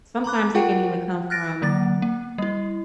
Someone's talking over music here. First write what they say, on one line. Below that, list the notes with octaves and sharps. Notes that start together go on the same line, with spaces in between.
sometimes it can even come from
A#5 B5 D6 F#6
F4 A#4 F#5 G5
F6 F#6 A6 A#6 D7
D3 F#3 A#3 A6
A#3
G3 E4